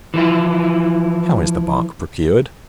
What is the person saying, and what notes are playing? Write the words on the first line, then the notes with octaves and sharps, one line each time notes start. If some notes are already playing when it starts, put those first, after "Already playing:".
How is the bark procured?
E3 F3 E4